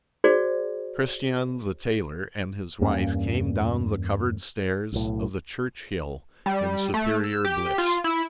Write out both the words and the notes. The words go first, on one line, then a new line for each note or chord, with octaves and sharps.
Christian the tailor and his wife came down the covered stairs of the church-hill in superior bliss.
F#4 G#4 C5 D5
E2 G2 A#3 C#4
B1 A2
G3
A3
E6
G4
F4
E4